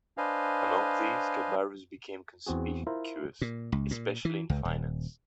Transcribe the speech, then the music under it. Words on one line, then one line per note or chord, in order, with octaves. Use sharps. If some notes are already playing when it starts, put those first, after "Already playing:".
Among these Cabarrus became conspicuous, especially in finance.
D4 B4 C5 D#5 F5 G#5
E2 C4 F#4 G#4
E4 F4 A#4 C5
A#2
C#2
A#2
E3
C#2
D#1